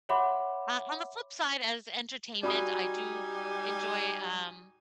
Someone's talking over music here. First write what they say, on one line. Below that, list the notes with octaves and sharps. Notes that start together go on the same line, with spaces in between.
On on the flip side, as entertainment, I do enjoy, um,
C#5 E5 F#5 B5 C6 D6
G3 D#4 F#4 D5 G#5 B5 D#6